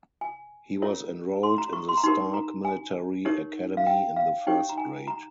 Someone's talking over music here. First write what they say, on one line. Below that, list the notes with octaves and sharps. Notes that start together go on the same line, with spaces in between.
He was enrolled in the Stark Military Academy in the first grade.
G#5
F4 A#4 C#5
C6
A#5
C#6
C6
A#5
D#4 G4 A#4 C6
A#5
G#5
D#4 G4 A#4 C#5
F5
G5
F5
D#4 G4 C#5 G5
A#5
G#5
A#5